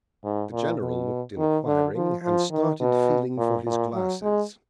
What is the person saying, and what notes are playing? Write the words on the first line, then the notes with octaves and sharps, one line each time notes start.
The General looked inquiring, and started feeling for his glasses.
G#2
A#2
B2
D#3
D3
F3
F3
D#3
B2
A#2
A#2
F#3
G#3